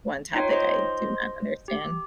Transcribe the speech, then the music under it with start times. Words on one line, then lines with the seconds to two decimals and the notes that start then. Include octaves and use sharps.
one topic I do not understand.
0.34 D#4 F4 C#5 G5
0.51 C5 D#5 C6
1.68 G4